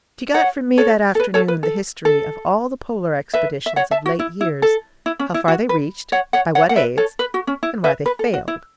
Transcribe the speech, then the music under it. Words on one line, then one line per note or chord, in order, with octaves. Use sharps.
She got from me that afternoon the history of all the Polar expeditions of late years, how far they reached, by what aids, and why they failed.
C#5 F#5
A4 C#5
A4
B4
A4 C#5
B4
A4
A4
B4 E5
E5
C#5 F#5
E5 A5
F#4
E4
E4
A4
E4
C#4
E4
F#4
B4
C#5 F#5
C#5 F#5
C#5 F#5
F#5
B4 E5
A4 C#5
B4
F#4
C#4
E4
B4 E5
B4
A4
F#4
E4